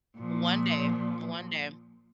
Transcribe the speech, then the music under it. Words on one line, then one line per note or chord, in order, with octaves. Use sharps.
one day, one day.
A#2 F3